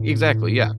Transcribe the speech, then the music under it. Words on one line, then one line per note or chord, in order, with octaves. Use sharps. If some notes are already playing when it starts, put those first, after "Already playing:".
Exactly, yeah.
Already playing: A2